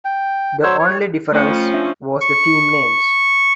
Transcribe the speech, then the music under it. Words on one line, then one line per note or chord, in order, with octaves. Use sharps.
The only difference was the team names.
G5
F#3 C5 C#5 E6
C#5
F3 A3 C#4 G5 C#7
F4
D4 E5
C#6